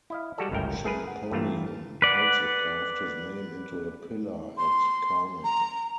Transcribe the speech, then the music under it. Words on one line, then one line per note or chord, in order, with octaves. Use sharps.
Champollion also carved his name into a pillar at Karnak.
E4 D#5 F5
G3 G#3 F#4 G4 A4 D5
G1 C#2 F#2 A2 A#4 G5
A3 G#4 A#4 B4
F#5
G2 E3 A3 F4 A#5
B4 D5 F#5
C6
A#5